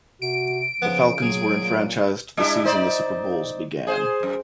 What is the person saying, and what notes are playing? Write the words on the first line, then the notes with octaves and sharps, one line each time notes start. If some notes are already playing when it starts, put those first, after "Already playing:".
The Falcons were enfranchised the season the Super Bowls began.
C3 F#4 D7
C#3 F3 B3
F#3 G#4
A#2
G3 D4 E4
D#4 C5 D5
G#4 C5
F#2